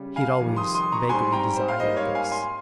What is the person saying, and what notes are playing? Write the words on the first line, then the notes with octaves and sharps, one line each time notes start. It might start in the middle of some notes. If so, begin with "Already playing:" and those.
He had always vaguely desired this.
Already playing: C#3 G3
F5 G#5
F2 C3 D#3 G3
C6 D#6
C6 D#6
A#5 C#6
G#2 G3 C4 G#5 C6
G5 A#5
C5
F5
G#2 G3 A#3 C5 D#5
C#5 F5
F5 G#5
G#5 C6